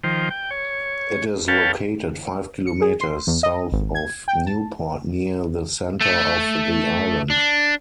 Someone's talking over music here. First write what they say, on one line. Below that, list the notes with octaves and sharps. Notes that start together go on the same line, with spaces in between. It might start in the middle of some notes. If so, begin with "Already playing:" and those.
It is located five kilometres south of Newport near the centre of the island.
D#3 F3 C5 G5
G5
C#5
A4 B4 C#5 F5 G5 A5
C#7
G#4
C6
E2
D#5
G#1
G#6
G5
A5
A3
D4